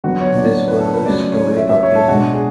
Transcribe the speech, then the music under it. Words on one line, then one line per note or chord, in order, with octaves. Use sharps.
This was a historic occasion.
D3 F#3 B3 D4 F#4
C#5
D5
C#5
B4
A4
B4
C#3 F#3 A3 C#4 D5
C#5
E5
E5
C#5
A4
B2 G#3 D4 F#4
G#4